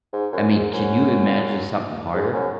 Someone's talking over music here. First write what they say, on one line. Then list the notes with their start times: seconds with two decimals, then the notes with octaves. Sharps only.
I mean, can you imagine something harder?
0.13 G#2
0.33 F#2
0.54 G#2
0.73 F#2
2.13 G#2
2.34 F#2